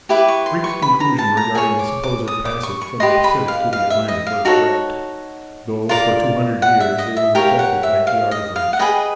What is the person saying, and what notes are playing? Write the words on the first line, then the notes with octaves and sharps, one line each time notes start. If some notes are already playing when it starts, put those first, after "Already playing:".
Drake's conclusions regarding the supposed passage from the Pacific to the Atlantic were correct, though for two hundred years they were rejected by geographers.
E4 G4 B4 D6
C#6
C6
C#6
B5
A#5
A5
A#5
G#4 C#5 G#5
D6
D6
D#6
D6
C#6
C#6
G4 B4 D#5 C6
B5
F5
F5
E5
D#5
F5
D#4 F#4 A4 C#5
F4 A#4 D5
F#5
E5
D#5
E5
G4 A#4 C#5 F5
F#5
E5
F5
D#5
F5
F#5
G#4 B4 D#5 G5